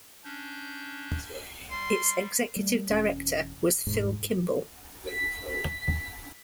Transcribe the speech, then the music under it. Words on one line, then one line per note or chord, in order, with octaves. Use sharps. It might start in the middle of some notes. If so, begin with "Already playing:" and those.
Its Executive Director was Phil Kimball.
C#4 D4 G6
G3 C6
G3 A3
E1 C#4
E1 G#2
B6